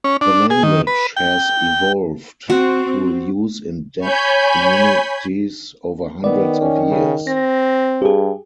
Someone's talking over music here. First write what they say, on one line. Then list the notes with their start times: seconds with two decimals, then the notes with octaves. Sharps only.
The language has evolved through use in deaf communities over hundreds of years.
0.04 C#4
0.21 D4
0.50 G#4
0.63 D#3
0.87 B4
1.17 G5
2.50 C4 F#4
3.99 C#5 G#5 B5 G6
6.24 D#3 B3 D5
6.61 C#4
6.90 C#3
7.27 C4 A#6
8.02 G2 G4 G#4